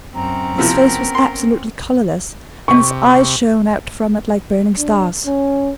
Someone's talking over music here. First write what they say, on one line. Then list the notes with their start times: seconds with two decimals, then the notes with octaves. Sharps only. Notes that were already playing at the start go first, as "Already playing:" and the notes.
His face was absolutely colourless, and his eyes shone out from it like burning stars.
0.15 F#2 C4 C#4 A#5
0.58 C3 F3 B3 E4 A#4
1.15 C6
2.68 C3 C#6
4.77 D4
5.26 C#4